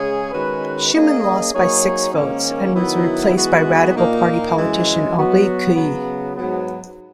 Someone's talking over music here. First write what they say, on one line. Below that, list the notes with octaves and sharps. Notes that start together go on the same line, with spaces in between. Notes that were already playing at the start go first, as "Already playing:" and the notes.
Schuman lost by six votes and was replaced by Radical Party politician Henri Queuille.
Already playing: C#3 G#3 C#4 G#4
D#3 G#3 C#4 F#4 B4
A#3 C#4 G#4 D#5
F#3 A#3 D#4 G#4 C#5
G#2 D#3 A#3 C#4
D#3 F#3 B3 E4
E3 G#3 B3 F#4
A#2 A#3 D#4
F#2 C#3 E3 G#3
F#3 B3 F#4
C#3 F#3 B3
G#2 F#3 B3